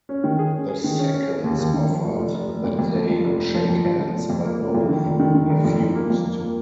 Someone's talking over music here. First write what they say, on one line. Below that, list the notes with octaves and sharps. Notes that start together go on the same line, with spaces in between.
The seconds offered that they shake hands, but both refused.
C#4
D#3
G#4
C#4
G#4
D#3
C#4
C#4
G#4
D#2
D#2
D#3
F3
F1
F1
F1
F1
F2
F2
F3
F2
F1
F1
F3
F2
F3
F3
F1
F2
A#3
F1
F2
D#3
F1
D#3
D#3
F1
F2
F2
A#3
F2
A#3
A#3